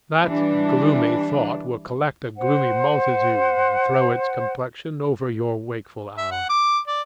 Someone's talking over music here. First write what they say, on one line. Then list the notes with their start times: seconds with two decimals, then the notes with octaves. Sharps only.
That gloomy thought will collect a gloomy multitude and throw its complexion over your wakeful hour.
0.22 E3 G3 D4
2.36 C5 F#5
6.18 E5
6.31 F#5
6.50 D6
6.88 D5